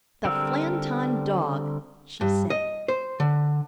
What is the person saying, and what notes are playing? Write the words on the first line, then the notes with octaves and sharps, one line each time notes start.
"The Flanton Dog!" she said.
D3 G3 C4 A#4 E6
G2
D#5
C5
D3